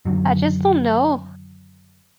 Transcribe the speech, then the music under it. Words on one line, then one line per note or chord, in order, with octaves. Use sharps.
I just don't know.
F#2 D3 D#3 F#3